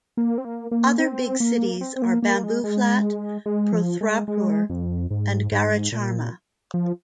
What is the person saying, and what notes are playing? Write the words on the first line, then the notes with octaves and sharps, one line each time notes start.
Other big cities are : Bambooflat, Prothrapur, and Garacharma.
A#3
C4
A#3
A#3
C4
A#3
C4
C4
A#3
A#3
G#3
G#3
G#3
F3
G#3
G#3
F2
G#2
G#2
A#2
F3